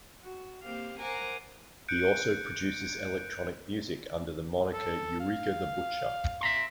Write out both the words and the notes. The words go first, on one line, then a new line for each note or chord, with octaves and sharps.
He also produces electronic music under the moniker Eureka the Butcher.
F#4
A#3 C4 G4 F5
A#4 C5 F#5 G#5 A#5 D6
F#6 G6 C#7 D7
A4
F5
E5 A#5 C6